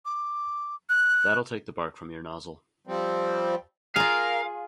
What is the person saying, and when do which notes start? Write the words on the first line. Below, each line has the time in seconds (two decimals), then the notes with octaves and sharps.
That'll take the bark from your nozzle.
0.05 D6
0.89 F#6
2.87 F3 G3 C4
3.96 F4 G#4 A#4 F5